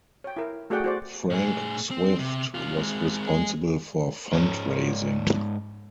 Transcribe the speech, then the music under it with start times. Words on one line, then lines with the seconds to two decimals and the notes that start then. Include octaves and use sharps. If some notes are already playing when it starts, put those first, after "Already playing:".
Frank Swift was responsible for fund-raising.
0.24 C#5 G5
0.37 E4 A#4
0.70 A3 F#4 G#4 D5 F#5 G5
0.84 F#4 C5 D5
1.30 A2 G#4
1.91 C4
2.20 C3
2.54 E2 F4
2.77 G#3 C4
3.27 G#3 G#4
4.33 G#2 C#4